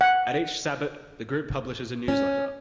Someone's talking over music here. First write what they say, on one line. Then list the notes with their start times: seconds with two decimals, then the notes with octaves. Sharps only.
At each Sabbat the group publishes a newsletter.
0.01 F#5
2.08 C#4